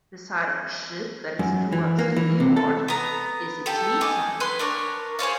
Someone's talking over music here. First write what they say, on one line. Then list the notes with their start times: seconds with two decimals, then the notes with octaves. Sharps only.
The side of a ship that is towards the leeward is its lee side.
1.39 F#2
1.73 E3
1.99 A#3
2.16 E3
2.40 C3
2.57 A4
2.88 B3 A#5
3.66 G4 A4
4.01 G#4 D#5 D6
4.40 B4 C6
4.59 D4 A#4 C#5
5.19 G#4 C5 C#5 F5